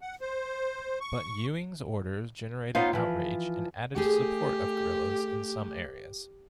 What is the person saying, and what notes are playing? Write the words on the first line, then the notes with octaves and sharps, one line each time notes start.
But, Ewing's order generated outrage and added to support of guerrillas in some areas.
F#5
C5
C#6
B3 D#4 F4 C5 C#5 F5
E3 F3
A3 G4 G#4